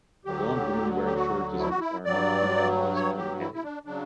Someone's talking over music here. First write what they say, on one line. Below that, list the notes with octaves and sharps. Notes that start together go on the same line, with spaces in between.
A blond woman wearing shorts is on a farm with two animals, pulling hay.
D2 D3 F#3 G4
G4
F#4
E4
F#4
E4
G2 F#3 D5
C#5
G4
E4
E4
D4
C#3 F#3 D4